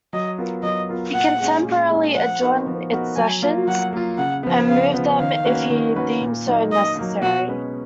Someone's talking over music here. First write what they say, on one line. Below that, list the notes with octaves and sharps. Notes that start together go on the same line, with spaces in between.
He can temporarily adjourn its sessions and move them if he deems so necessary.
F#3 D#5
B3 F4 A#4
F#3 D#5
B3 F4 A#4
A#2 F#5
G#3 C#4 G#4
A#2
G#3 C#4 G#4
F3 F#5
B3 D#4 F#4 A#4
F3
B3 D#4 F#4 A#4
F#3 G#5
A#3 F4
F#3 F#5
A#3 F4
C#3 F#5
F3 B3
C#3 F5
F3 B3
D#3 F5
A#3 C#4 F#4 B4
D#3
A#3 C#4 F#4 B4
A#2
F#3 A#3 D#4
A#2 D#5
F#3 A#3 D#4
B2 F#4
G#3 C#4 G#4 B4